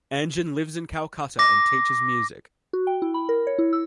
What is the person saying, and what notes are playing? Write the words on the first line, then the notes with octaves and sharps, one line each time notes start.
Anjan lives in Calcutta and teaches music.
D6 A#6
F#4
G5
E4
B5
A#4
C#5
E4
E6